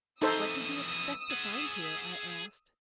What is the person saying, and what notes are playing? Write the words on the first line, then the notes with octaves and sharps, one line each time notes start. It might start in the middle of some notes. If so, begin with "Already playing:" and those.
"What did you expect to find here?" I asked.
F2 E3 D#4 A4 C5 D#6 E6
G#4 F#5